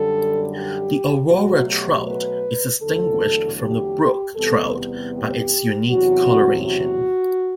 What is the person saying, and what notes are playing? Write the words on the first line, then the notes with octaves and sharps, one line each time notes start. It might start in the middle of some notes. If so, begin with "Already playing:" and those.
The aurora trout is distinguished from the brook trout by its unique coloration.
Already playing: F#2 D3 G3 A4
G4
B2 F#3 A3 F#4
G4
B4
E2 D3 F#3 A3 A4
G4
E2 C3 G3 B3 A4
G4
E2 C3 F#3 F#4
F#4